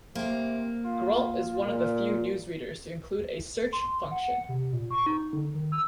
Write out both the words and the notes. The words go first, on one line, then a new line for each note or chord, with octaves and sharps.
GrabIt is one of the few newsreaders to include a search function.
C3 A#3
F4
A#2
C6
F#5
C3
A#2
C#6
D#4
D3
D#3
E6